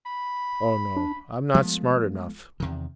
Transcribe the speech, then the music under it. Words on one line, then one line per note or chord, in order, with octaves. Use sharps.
"Oh, no, I 'm not smart enough."
B5
D4
F3 G#3 A3 B3
E2 C3 D#3